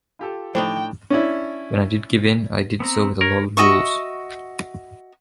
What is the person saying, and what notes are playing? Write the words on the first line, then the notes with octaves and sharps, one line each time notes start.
When I did give in, I did so with a lot of rules.
F4 G4 A4
A2 F3 D4 D#4 G5
C#4 D4 E4
B3 C4 A#5
A#4 C#5
F#4 D#5 E5 C#6